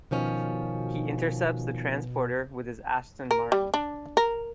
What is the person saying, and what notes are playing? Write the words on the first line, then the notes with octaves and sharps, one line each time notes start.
He intercepts the transporter with his Aston Martin.
B2 D#3 F3 C#4
A#4
G3
D4
A#4